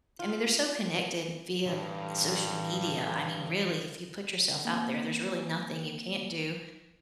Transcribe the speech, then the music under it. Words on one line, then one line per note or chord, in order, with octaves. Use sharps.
I mean they're so connected via social media. I mean really if you put yourself out there, there's really nothing you can't do.
F4
G2 E3 C#4
A#3 C4